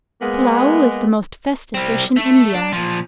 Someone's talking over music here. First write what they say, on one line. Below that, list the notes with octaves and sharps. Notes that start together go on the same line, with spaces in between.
Pullao is the most festive dish in India.
G#3 A#3 B3
G3 C4
A3
D4
A#2 F3